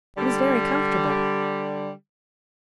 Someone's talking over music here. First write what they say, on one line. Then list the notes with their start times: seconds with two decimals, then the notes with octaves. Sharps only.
It was very comfortable.
0.18 D3 G3